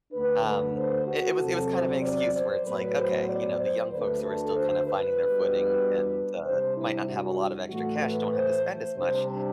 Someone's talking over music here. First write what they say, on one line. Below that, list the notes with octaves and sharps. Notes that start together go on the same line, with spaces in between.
um, it it was it was kind of an excuse where it's, like, okay, you know, the young folks who are still kind of finding their footing and, uh, might not have a lot of extra cash, don't have to spend as much.
D2 D3 A3 D4 B4
B4
C5
F#4
E2 C3 F#3 C4 A4
C5
D5
C5
A2 F#3 B3 B4
C5
D5
C5
D2 D3 A3 D4 B4
A4
C5
B4
B2 G3 D4
C3 G3 D4 C5
E4
F#4
A2 E3 A3 F#4
B4
C5
C3 G3 D4 C5